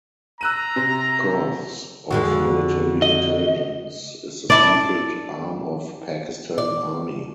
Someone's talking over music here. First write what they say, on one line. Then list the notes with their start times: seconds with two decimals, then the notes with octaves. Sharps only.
Corps of Military Intelligence is the secret arm of Pakistan Army.
0.41 A#5 E6 F#6 D#7
0.76 C3
2.11 F2 D3 G#3 F#4
3.02 D#5
4.50 D4 E4 D5
6.58 D5